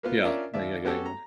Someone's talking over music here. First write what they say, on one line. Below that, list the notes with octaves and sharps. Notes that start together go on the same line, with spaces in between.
Yeah. Yeah, yeah, yeah, yeah.
A#3 B3 F4
C#4 D4 F4 A#4 D5 E5
D#2 D5 E5
B3 C#4 F#4 G4 A4
A#5